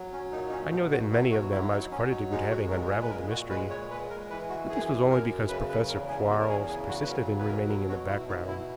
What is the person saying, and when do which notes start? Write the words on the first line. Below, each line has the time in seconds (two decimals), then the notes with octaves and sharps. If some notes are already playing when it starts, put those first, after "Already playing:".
I know that in many of them I was credited with having unraveled the mystery, but this was only because Professor Quarles persisted in remaining in the background.
Already playing: F#3
0.13 C#4
0.32 A#2 D#4
0.48 D#4
0.52 C#4
0.72 B2 D#4
0.92 F#4
1.12 F#3 E4
1.32 F#4
1.51 F#3 E4
1.71 D#4
1.91 F#3 C#4
2.11 D#4
2.31 G#3 D#4
2.51 F#4
2.71 A#2 A#4
2.90 G#4
3.03 B4
3.10 A#2 A#4
3.30 F#4
3.50 G#3 B4
3.70 C#5
3.90 G#3 B4
4.10 A#4
4.30 E3 B4
4.49 F#4
4.69 F#2 G#4
5.09 F#2 A#4
5.49 C#3 B4
5.69 B4
5.89 E2 A#4
6.09 G#4
6.30 E2 F#4
6.40 A#4
6.49 G#4
6.69 C#3 G#4
6.89 F#4
7.02 B4
7.09 F#3 A#4
7.39 B4
7.48 B2 A#4
7.68 A#4
7.89 B2 F#4
8.08 E4
8.28 B2 D#4
8.48 E4